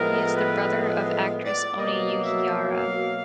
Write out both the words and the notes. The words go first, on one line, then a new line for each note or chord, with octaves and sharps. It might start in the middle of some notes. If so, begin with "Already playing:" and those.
He is the brother of actress Ony Uhiara.
Already playing: A2 F3 G#3 B3 A#4
B4
D5
B2 F#3 A#3 D#5
E5
F5